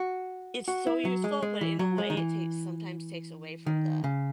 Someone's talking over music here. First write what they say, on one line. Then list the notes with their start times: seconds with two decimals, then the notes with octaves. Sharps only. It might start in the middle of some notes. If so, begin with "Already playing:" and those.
It's so useful, but in a way, it takes sometimes takes away from the
Already playing: F#4
0.68 F#4
0.87 E4
1.05 F#3
1.24 G#3
1.42 G#3
1.61 E3
1.79 F#3
1.98 G#3
2.10 D#3
2.17 E3
3.66 D#3
4.04 C#3